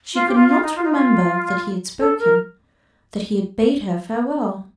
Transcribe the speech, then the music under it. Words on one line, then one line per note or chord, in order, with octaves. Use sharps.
She could not remember that he had spoken--that he had bade her farewell.
F4
G4
F4
F4
D#4
F4
D#4
F4
A4
A#4